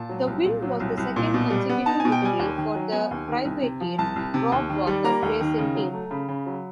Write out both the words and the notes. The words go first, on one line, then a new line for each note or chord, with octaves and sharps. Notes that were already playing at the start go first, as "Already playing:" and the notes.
The win was the second consecutive victory for the privateer Rob Walker Racing Team.
Already playing: A#2 A5
F#3
C2
A#2
F#3
C2
C2
A#2
B2
G3
B3
D#4 A5
G#5
B2
G5
G3 G#5
D#2
D#3
F#3
B3 G#5
D#2
D#3
C2
C3
F3
C2 A5
C2
C3
D#2
D#3
G3
A#3 A#5
D#2
D#3
C#3
F#3
A3
C#3 B5
C#3
F#3